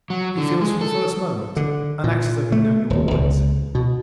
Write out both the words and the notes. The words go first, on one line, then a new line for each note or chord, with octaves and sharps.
He feels from the first moment, and acts, as though he had known you always.
F#3
D3
G#3
A4
D3
A#2
A3
D#1
C#2
B2